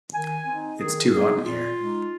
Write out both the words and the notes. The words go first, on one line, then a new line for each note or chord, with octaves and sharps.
It's too hot in here.
D#3 G#5
C4 D#4
D#3 G#4
C4 D#4 G#4
A#2 F4
G#3 D#4